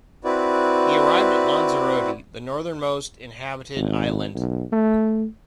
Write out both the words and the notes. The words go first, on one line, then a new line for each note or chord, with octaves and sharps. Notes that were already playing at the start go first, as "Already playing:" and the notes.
He arrived at Lanzarote, the northernmost inhabited island.
C4 E4 F#4 B4 D5
G#1
B1
A3